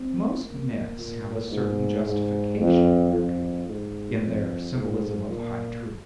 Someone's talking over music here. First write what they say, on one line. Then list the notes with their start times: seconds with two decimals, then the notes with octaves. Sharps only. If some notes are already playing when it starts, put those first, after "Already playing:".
Most myths have a certain justification in their beauty, in their symbolism of high truth.
Already playing: C4
0.44 A#3
0.98 A#2
1.51 G#2
2.05 G#2
2.60 F2
3.13 F2
3.68 G#2
4.22 F2
4.77 G#2
5.30 A#2